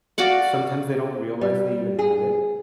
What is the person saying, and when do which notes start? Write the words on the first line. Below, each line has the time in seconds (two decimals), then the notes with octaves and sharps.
sometimes they don't realize they even have it,
0.18 F#4 D5 F5 F#5
1.41 G3
1.99 G#4